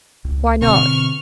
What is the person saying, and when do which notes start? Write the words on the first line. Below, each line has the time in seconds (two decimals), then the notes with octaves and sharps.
"Why not?"
0.25 C#2
0.61 B2 D3 C4 C#6 F6